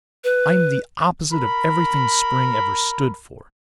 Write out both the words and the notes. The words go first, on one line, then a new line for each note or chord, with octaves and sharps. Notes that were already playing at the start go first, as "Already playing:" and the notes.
I'm the opposite of everything spring ever stood for.
B4
A#4 B5